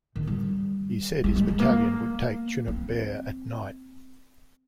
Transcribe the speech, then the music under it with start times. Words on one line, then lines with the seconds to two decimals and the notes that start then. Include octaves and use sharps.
He said his battalion would take Chunuk Bair at night.
0.16 D#3
0.27 G3
1.24 G3
1.36 G#3
1.48 G#3
1.60 A#3
2.68 C4